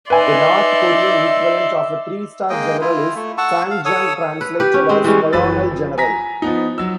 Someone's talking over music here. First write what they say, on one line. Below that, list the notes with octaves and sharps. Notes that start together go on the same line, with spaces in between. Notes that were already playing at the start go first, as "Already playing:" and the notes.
The North Korean equivalent of a three-star general is "sangjang", translated as "colonel general".
D#4 B4 D5 E5 G#5 C6
G#3 A#3 D#5 G5
E4 F4
A3
F#5 A5 C#6 E6
F5
A4 C#5 D#6 E6
B4
G4 B4
C#4
G#3 C4
E3 G3 G#3 C#4
F#1 E3 B4 E6 A6
F3
G#5 A#5 A#6 B6
F3 B3 D#4
F#3 E6